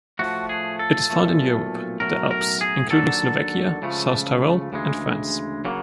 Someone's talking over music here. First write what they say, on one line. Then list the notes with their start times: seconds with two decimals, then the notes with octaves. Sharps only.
It is found in Europe: the Alps, including Slovakia, South Tyrol and France.
0.19 A2 F3 A3 F#4
0.49 G#4
0.79 A4
1.10 B1 A#2 F3 A3
2.00 B1 A2 F#3 A#4
2.31 A#4
2.61 G#4
2.91 D#2 D3 F#3 A4
3.82 C#2 C#3 F3 A3
4.72 D2 C#3 E3 G#3
5.65 C#3 F#3 A#3